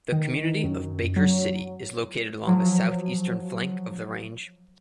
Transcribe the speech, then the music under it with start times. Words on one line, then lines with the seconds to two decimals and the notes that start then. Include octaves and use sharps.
The community of Baker City is located along the south-eastern flank of the range.
0.12 D#3
0.64 F#2
1.16 F#3
2.47 F3 F#3